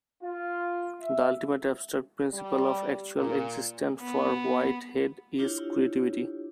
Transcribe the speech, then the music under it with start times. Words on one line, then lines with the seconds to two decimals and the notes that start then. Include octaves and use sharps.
The ultimate abstract principle of actual existence for Whitehead is creativity.
0.23 F4
1.01 E5
2.34 G3
3.17 A#2
4.00 B3
5.39 D4 E4 F4 G4 C#5